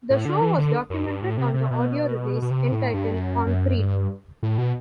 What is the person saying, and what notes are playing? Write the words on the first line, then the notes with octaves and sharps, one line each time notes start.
The show was documented on the audio release entitled Concrete.
A2
D3
E3
D3
F#2
G2
A2
C3
C3
B2
B2
C3
A2
G2
F#2
F#2
G2
A2
B2